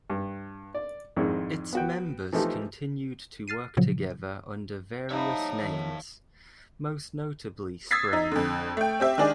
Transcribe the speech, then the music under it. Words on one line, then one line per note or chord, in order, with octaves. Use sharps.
Its members continued to work together under various names, most notably Spray.
G2
D5
F2 G#2 D#3 G#3 D4 E4
B3 F#4 G5
E3 F3 A3 D#4 G4
F6 A6 C7 D#7
A#2 C#3 F3 F#3
F3 G3 D#4 C#5 E5 A5
D#3
D#6 E6 G#6 A6 B6 C7
D#4
F2 D3
A3 G5
C4 G4 E5
D#3 G#3 D4 G#4 D5